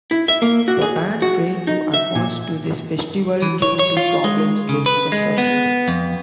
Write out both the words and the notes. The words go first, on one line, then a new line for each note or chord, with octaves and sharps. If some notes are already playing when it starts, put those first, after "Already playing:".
The band failed to advance to this festival due to problems with censorship.
E4
E5
A#3
F#4
G#4
F#4
D#4
E5
A#2
E3
C#5
C#5
F4
G#3
C#3
B4
G#3
B3
F2